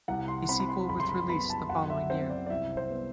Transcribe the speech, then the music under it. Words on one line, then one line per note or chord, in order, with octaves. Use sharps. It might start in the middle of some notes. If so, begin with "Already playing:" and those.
A sequel was released the following year.
C2 F#5
C6
C4 B5
B5
C6
F#1 B5
C6
B5
B3 B5
A5
F#2 F#5
E5
C4 C5
D5
D5
C2 E5
C5
B3